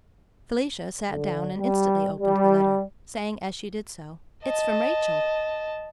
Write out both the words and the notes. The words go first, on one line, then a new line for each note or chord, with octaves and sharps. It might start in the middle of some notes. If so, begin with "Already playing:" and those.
Felicia sat down and instantly opened the letter, saying as she did so: "It's from Rachel."
D3
G3
G3
D#5 A5